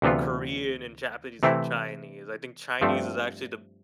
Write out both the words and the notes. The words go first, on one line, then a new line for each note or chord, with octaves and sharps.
Korean and Japanese and Chinese, I think Chinese is actually the
D2 C3 E3 B3 F4
C3 E3 A3 C4 E4
G2 F3 A3 C4